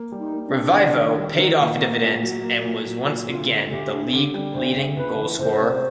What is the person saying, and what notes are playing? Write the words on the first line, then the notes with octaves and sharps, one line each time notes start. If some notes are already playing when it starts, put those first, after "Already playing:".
Revivo paid off dividends and was once again the league leading goal scorer.
Already playing: A#3
G3
D#4
A#3
D4
C3
D#3
D#3
G3
D#3
A#2
A#3
A#2
F#3
A#3
A#2
F#3
A#2
D2 F4
D3
D2 G4
D3
D3 G4
G3
D2 C5
D2
C#2 B4
E3
C#2 C5
C3